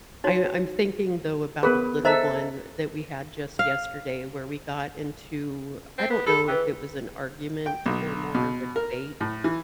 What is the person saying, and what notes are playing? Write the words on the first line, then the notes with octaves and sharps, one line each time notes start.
I'm I'm thinking, though, about a little one that we had just yesterday where we got into I don't know if it was an argument or more of a debate,
D#4 F#4 C#5
B3 G#4 A#4 B4
A4 C5 D#5 E5 A#5
F5
C4
B3
G#4 A4 B5
E3 B4 G5
G5
B1
B2
A#4
A2
E3